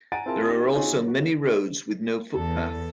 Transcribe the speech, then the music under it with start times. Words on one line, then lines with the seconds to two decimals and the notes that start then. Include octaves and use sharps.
There are also many roads with no footpath.
0.12 F#5 G#5 A#5 A6 D7 D#7
0.26 C4 E4 F4 G#4 A#4 A5
0.48 D#4 G4
0.75 C4 D#4 F4 F#4 G#4 C#5
0.93 F#3
1.08 F#4
2.34 E2 A4